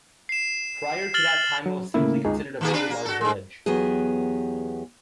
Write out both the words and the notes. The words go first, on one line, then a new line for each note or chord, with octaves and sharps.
Prior to that time it was simply considered a very large village.
C7 E7
F6 A6 F#7 G7
F#3
A2 C#3 A#3 E4
C#2 D#4 G#4
D#3 A#3 G#4
A#3 D4 B4
A#3
F#4 A4
G2 G#3
E2 F#3 B3 G4 G#4